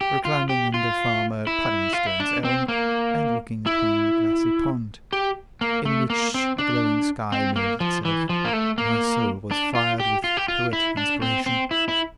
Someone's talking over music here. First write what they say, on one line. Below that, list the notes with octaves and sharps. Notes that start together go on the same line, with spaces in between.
Reclining under Farmer Puddingstone's elm, and looking upon the glassy pond, in which the glowing sky mirrored itself, my soul was fired with poetic inspiration.
G4
F4
G4
F4
E4
F4
E4
D4
C4
A#3
E4
G4
A#3
A3
A#3
C4
D4
C4
A#3
F3
E3
F3
A#3
A3
A#3
D4
F4
G4
F4
G4
F4
E4
D4
C4
C4
E4
E4